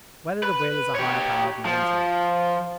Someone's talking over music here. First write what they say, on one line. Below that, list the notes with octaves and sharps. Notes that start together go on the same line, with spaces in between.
Whether the Will Is a Higher Power Than the Intellect?
B4
G4 C#5
F3